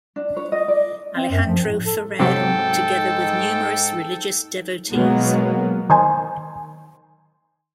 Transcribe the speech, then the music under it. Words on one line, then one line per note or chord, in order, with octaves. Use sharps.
Alejandro Ferrer, together with numerous religious devotees.
D4
C#5
D#5
D5
C4
F#2
F3
A2
A4
G#2 C3 F#3 A4 G5
B2 F#3 G#3 A#3 B3
D#3 C5 G#5